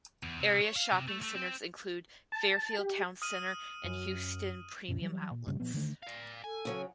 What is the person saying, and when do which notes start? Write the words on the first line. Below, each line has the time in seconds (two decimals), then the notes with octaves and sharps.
Area shopping centers include Fairfield Towne Center and Houston Premium Outlets.
0.23 E2
0.40 C3
0.61 C#5
0.76 F5
0.92 C3
1.08 A3
1.23 A3
1.36 C4
2.32 A5
2.78 G4
3.22 D#6 F6 D#7
3.84 F#2
4.88 D1 F#2 B2 C#4
5.01 E3 F#3 G3
5.31 A#2
5.47 G2 A#2 C#3 G3
5.60 A#2 F3 B3
5.74 D3 D#3 A3
6.03 D5 F5
6.44 A4 G#5
6.65 C#3 E3 F#3